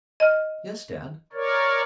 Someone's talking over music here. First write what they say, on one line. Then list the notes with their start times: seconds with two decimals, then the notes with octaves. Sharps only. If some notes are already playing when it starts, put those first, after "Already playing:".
"Yes, dad."
0.20 D#5 F6
1.33 A#4 C#5 D5